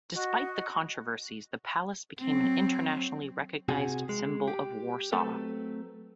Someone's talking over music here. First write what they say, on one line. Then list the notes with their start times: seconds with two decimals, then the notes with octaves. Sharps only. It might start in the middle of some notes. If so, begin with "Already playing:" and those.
Despite the controversies, the Palace became an internationally recognized symbol of Warsaw.
0.16 F#4 D#5
2.20 F#3 C4
3.69 C3 F#4 G#4
4.09 G#3
4.48 G4
5.12 F#3 A3 C4 A4 B4